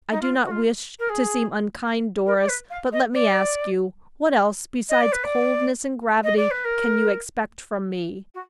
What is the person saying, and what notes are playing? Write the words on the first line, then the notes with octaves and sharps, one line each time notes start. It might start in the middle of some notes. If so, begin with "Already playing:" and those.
"I do not wish to seem unkind, Doris, but let me ask you--what else besides coldness and gravity can you expect from me?"
D#4
F4
F#4
F4
A#4
G#4
A#4
D5
B4
F5
D#5
D5
D#5
D5
B4
D5
D#5
D5
B4
A#4
F#4